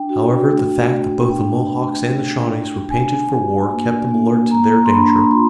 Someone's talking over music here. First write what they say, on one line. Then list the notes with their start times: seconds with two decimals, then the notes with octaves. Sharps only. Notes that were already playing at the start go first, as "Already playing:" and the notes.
However, the fact that both the Mohawks and the Shawnees were painted for war kept them alert to their danger.
Already playing: D4 G5
0.09 F#4
0.49 A3
0.90 A3
1.30 D4 G5
1.70 F#4
2.10 A3
2.50 A3
2.90 D4 G#5
3.31 F#4
3.71 A#3
4.10 A#3
4.51 A#3 A#5
4.85 C6
4.91 D4 B5
5.31 F4 C6